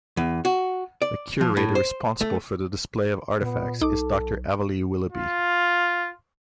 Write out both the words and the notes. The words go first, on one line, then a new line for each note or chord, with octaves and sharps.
The curator responsible for the display of artifacts is Doctor Avalee Willoughby.
E2
F#4
D5
F3
A2
C5
A3
A#2 B3
B1 D#4 A4 D6
F4